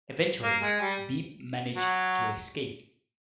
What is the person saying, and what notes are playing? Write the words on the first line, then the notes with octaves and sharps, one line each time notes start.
Eventually, Beep managed to escape.
A#3
G#3
G3
F#3